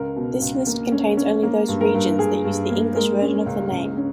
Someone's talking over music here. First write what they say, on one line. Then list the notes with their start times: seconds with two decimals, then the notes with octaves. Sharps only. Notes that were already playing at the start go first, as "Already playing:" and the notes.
This list contains only those regions that use the English version of the name.
Already playing: C#2 A#4
0.16 B2
0.41 C#2
0.67 A#3
0.92 C#4
1.17 C#4
1.43 A#3
1.68 G2
1.81 A#4
1.94 G2
2.19 G2 G#4
2.45 G2
2.70 A#3
2.96 G#3 A#4
3.21 C#4
3.46 C#2
3.72 C#2
3.97 C#4